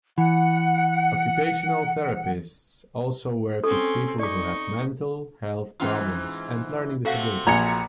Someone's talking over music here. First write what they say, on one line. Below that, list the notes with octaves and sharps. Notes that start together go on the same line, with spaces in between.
Occupational therapists also work with people who have mental health problems and learning disabilities.
E3 F#5
C4 C#4 A4
D#4 D5 C#6 D6
G#2 E3 C#4 F4 D#6
C3 A3 F#4 A4 F5 F#5
A#1 B4 G#5 A#5 G#6 C#7